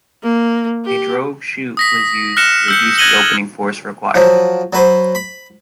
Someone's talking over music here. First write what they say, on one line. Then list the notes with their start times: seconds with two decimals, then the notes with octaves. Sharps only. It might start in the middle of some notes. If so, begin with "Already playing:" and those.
A drogue chute was used to reduce the opening force required.
0.23 A#3
0.85 G4
1.77 D#6 A#6 B6
2.37 F6 F#6 A#6 C#7 E7
2.68 E6 G6 C#7
2.98 F#6 G#6 A#6 D#7 F#7 G7
4.15 F3 F#3
4.73 F#3 B4 C5
5.15 B5